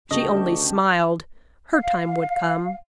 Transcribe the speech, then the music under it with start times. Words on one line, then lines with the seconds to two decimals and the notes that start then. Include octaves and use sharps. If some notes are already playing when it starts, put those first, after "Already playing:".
She only smiled--her time would come.
0.11 D2 C#3 G4 D#5 A5 C#6
1.73 F5